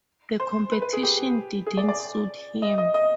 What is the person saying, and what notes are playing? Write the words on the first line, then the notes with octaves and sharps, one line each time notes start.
The competition didn't suit him.
C5
B4
B4
G#4
G4
G#4
D5
D5
D#5
D#5
D#5